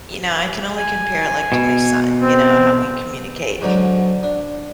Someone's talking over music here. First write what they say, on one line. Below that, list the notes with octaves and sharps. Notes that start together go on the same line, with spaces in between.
you know I can only compare it, like, to my son, you know, how we communicate.
G#5
B2
C4
G#2 D3 F#3
D4